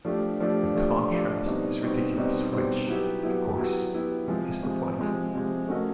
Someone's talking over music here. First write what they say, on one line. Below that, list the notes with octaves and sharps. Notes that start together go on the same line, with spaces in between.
The contrast is ridiculous which, of course, is the point.
F3 A3 D4 G4
F3 A3 D4 G4
F3 A3 D4 G4
F3 A3 D4 G4
B2 G3 C4 D#4
B2 G3 C4 D#4
B2 G3 C4 D#4
B2 G3 C4 D#4
F#3 B3 E4 G4
F#3 B3 E4 G4
F#3 B3 E4 G4
F#3 B3 E4 G4
C3 F3 G#3
C3 F3 G#3
C3 F3 G#3
C3 F3 G#3
A3 C#4 F#4 A#4 D#5